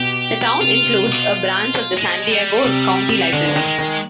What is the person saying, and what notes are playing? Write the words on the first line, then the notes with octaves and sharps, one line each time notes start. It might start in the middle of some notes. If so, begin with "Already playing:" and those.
The town includes a branch of the San Diego County Library.
Already playing: B2 G4
C3 F4
C3
B2
G#3
G3
C3
G3
D3 G#3
D#3
G#3
D#3